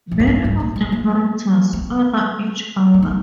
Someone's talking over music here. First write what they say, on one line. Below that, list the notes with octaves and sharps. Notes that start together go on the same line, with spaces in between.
Many of the characters "other" each other.
A#2
G#2
G2
F2
G2
A#2
G#3
A#3
C4
C#4
D#4